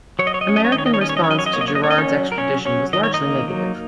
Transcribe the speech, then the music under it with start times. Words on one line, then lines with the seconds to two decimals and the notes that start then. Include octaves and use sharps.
American response to Girard's extradition was largely negative.
0.19 F#3 C#5
0.27 D#5
0.34 C#5
0.41 D#5
0.47 C#4 C#5
0.56 D#5
0.64 C#5
0.72 D#5
0.75 D#3 C#5
0.86 D#5
0.94 C#5
1.01 C#4 D#5
1.09 C#5
1.17 D#5
1.24 C#5
1.29 F#3 D#5
1.39 C#5
1.46 D#5
1.53 A#3 C#5
1.61 D#5
1.68 C#5
1.75 D#5
1.84 C#4 C#5
1.91 D#5
1.98 C#4 C#5
2.11 F#3
2.32 A#4
2.38 F#3 C#4 C#5
2.65 F#3 C#4 C#5
2.93 D#3 D#5
3.03 C#5
3.14 D#4 D#5
3.20 A#3
3.48 F#3